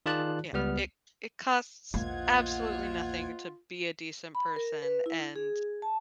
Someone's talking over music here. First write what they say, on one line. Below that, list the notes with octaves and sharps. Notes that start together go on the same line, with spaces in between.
Yeah, it it costs absolutely nothing to be a decent person and
D#3 F4 G#4 D5 A5 F#6
C#2 G3 B3 F6
A#1 E2 A#3 F4 C5 D#5 F#5 G#6
B5
A#4
B4
E4
G#4
A5